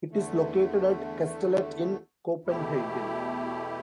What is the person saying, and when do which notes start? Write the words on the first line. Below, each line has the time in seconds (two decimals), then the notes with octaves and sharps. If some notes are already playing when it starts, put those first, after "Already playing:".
It is located at Kastellet in Copenhagen.
0.11 E2 D3 A3
2.44 E2 B2 A3 E4 G4